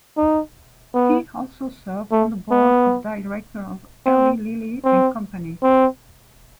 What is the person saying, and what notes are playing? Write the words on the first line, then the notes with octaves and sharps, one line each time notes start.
He also serves on the board of directors of Eli Lilly and Company.
D#4
B3
A3
B3
C4
C4
C4